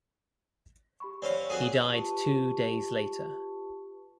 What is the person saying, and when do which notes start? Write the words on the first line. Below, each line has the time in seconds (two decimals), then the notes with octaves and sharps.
He died two days later.
1.00 G4 B5 C#6
1.22 C4 C#4 C#5 D5 F5
1.50 C4 F#4 G#4
1.90 F4 G4 B4 A5 C#6